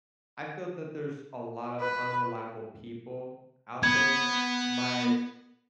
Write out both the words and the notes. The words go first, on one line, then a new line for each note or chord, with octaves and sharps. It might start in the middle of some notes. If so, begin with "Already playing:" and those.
I feel that there's a lot of unreliable people out there. My
B4
B3 G#6